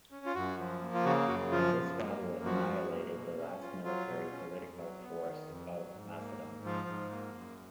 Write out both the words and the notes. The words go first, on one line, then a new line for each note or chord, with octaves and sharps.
This battle annihilated the last military-political force of Macedon.
C#4
F4
F#2 F#4
F3
A#3
F4
C#3 F#4
F#2 F#4
F3 F4
F#2
A#3
F#2
F3 F#4
F#2
A#3
B2
C#4
F4
F#3 F4
B2
C#4
F2
F#3
B3
D#3
F2
F#3
G#2
A#3
G#2
F3 F4
G#2
A#3
F#2